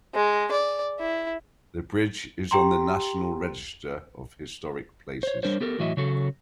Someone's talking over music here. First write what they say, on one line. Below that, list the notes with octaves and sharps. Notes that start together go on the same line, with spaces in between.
The bridge is on the National Register of Historic Places.
G#3
D5
E4
G4 G5 A#5 C6
C5 C#5
G3 D4 A#4 C5 C#5
B3 G4 A4 A#4
A2 E3 F#3 F#4 D#5 E5
C#3 F#3 F#4 A4